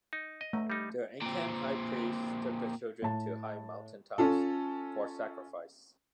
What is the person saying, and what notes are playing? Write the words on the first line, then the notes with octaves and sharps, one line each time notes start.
The Incan high priests took the children to high mountaintops for sacrifice.
D#4
D#5
A3
G3 D#4
A#2 C4
A2 A5
C#4 F4 A4